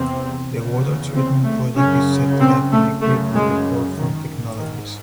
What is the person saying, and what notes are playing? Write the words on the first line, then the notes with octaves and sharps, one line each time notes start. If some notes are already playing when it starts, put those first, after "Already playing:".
The water treatment project is said to have been equipped with the forefront technologies.
Already playing: E2 C3 C4
E2 C#3
C4
A3
F#2 C#3 C#4
C4
A3
F#2 C#3 A3
G#3
D#3
G#2
D#3